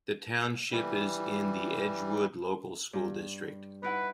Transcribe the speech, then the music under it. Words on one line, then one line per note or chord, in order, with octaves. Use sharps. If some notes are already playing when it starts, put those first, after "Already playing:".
The township is in the Edgewood Local School District.
E3 G3
G2
D#4 E4 B4 F#5